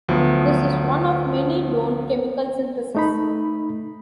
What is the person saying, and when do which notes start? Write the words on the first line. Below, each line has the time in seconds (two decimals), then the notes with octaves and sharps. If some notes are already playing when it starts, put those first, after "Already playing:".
This is one of many known chemical syntheses.
0.08 D2 F3 F#3 B3
2.95 A3 D#4 B5